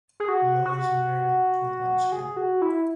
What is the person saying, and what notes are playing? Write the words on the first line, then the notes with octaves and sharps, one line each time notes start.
Loh is married with one child.
G#4
F#4
F#4
G#4
F#4
E4